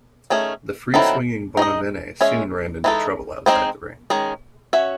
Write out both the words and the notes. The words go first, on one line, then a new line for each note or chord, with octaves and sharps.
The free-swinging Bonavena soon ran into trouble outside the ring.
D#3 A3 C#4 G#4
D#3 F#3 C4 E4 A4
D#4 G#4 D#5
G#3 C#4 G#4 C#5 E5
E3 G#3 D#4 A4
G#3 C4 D#4 G#4 C5
D#3 G#3 C#4 G#4
C#4 F#4 C#5 E5